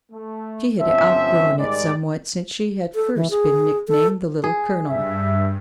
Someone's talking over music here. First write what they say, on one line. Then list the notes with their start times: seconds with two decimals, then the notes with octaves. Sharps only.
She had outgrown it somewhat since she had first been nicknamed the Little Colonel.
0.12 A3
0.80 G1 F3 C4 C#4 E5
1.58 G#2 D#3 G3 G#3 D#4 D5
2.95 A4
3.15 E3
3.31 G#4
3.88 A4
4.44 G#4
4.87 G2 E5